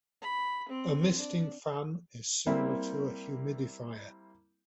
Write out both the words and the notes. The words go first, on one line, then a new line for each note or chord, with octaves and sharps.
A misting fan is similar to a humidifier.
B5
C4
D4
G3 A#3 C4 E4